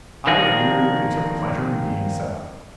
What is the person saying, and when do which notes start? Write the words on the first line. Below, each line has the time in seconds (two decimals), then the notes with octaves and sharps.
I was rude and took pleasure in being so.
0.27 D#3 F3 A#3 D4 F#4 G#4